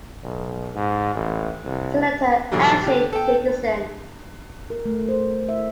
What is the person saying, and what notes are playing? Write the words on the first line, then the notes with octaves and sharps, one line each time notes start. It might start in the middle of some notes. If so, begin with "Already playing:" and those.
Senator L. J. Dickinson.
B1
G#2
A1
C2
G#2 B2 D3 E3 F#3 G3
D3 G4
A4 G5
A#4
A3
C5
E5